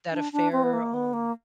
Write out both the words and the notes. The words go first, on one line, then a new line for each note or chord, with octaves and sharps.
that a fair, um,
D4
D4
C4
B3
A#3
B3
A#3